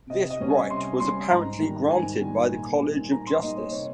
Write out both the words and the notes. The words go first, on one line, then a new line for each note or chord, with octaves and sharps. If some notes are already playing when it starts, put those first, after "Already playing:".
This right was apparently granted by the College of Justice.
C3 D#5
D#5
G3 C#4
G#5
C3 C6
G3 C#4 C6
G#2 A#5
D#3 G3
G#2 G#5
D#3 G3
A#2
G3 A#3 D#4
A#2 A#5
C6
G3 A#3 D#4 D#5
C#5
C3 C#5